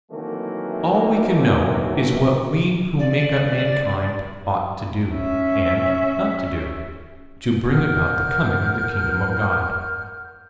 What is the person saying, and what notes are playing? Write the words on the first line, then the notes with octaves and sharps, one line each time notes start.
All we can know is what we who make up mankind ought to do, and not to do, to bring about the coming of the kingdom of God.
C3 D#3 E3 F#3 A3 A#3
D5
C#4 E5
A#4 F#5 F6 G6